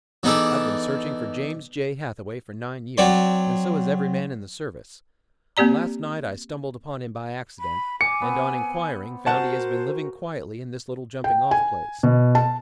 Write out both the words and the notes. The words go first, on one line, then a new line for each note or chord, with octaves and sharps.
I've been searching for James J. Hathaway for nine years, and so has every man in the service. Last night I stumbled upon him by accident, and on inquiring found he has been living quietly in this little jumping-off place.
E3 B3 D#4 G#4 A4 D5
F#3 C4 D5 C6
A#3 C4 G4 D5 A#5
B5
G#5 D6 C#7
B3 C4
F#4 A#4 C5 F#5 G#5 A5
G5
G#5
B2
A5